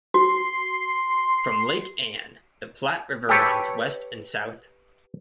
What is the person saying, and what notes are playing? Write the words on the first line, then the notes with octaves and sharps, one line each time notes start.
From Lake Ann, the Platte River runs west and south.
F#4 C6
G4 A4 B4 C#5 G5